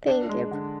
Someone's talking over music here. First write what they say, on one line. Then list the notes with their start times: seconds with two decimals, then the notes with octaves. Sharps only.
Thank you, b
0.08 D4
0.29 G#3
0.51 D3